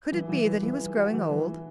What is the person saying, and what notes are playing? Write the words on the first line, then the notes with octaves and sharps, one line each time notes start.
Could it be that he was growing old?
E3
E3
E3
E3
E3
F#4
E3
E3